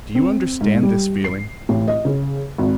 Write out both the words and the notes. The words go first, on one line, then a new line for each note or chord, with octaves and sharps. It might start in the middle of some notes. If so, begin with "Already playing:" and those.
Do you understand this feeling?
C4
G#2
G3
C7
A1
D#5
C#3
G#1